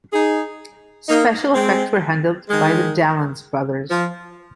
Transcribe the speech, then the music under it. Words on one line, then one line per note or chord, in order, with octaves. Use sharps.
Special effects were handled by the Dallons brothers.
D#4 G#4
A#3 D#4
G#3 C4
D#3 G#3
F3